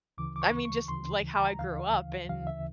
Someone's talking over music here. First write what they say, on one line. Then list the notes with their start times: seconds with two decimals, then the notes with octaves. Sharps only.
I mean, just like how I grew up and,
0.18 D2 C#3 E3 D6
0.36 D6
0.42 C#6
0.65 C#6
0.88 D2 C#3 E3 C6
1.35 A#5
1.59 D2 C#3 E3 F5
2.29 D2 C#3 E3 F5
2.47 E5